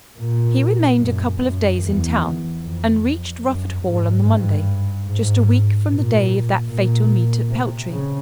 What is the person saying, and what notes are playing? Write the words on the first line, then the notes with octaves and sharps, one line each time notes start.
He remained a couple of days in town and reached Rufford Hall on the Monday,--just a week from the day of that fatal meet at Peltry.
A#2
F#2
F#2
E2
F2
F#2
G#2
G2
G#2
A#2
A#2
C3
C#3